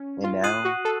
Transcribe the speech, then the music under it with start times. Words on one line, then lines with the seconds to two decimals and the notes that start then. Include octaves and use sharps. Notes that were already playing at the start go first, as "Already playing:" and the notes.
And now
Already playing: C#4
0.24 F4
0.44 F4 D#6 F#6 C7 D#7 F#7
0.65 F#4
0.85 A4